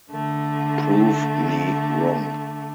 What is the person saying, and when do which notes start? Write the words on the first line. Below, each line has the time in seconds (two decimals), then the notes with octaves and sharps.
Prove me wrong.
0.11 D3 A3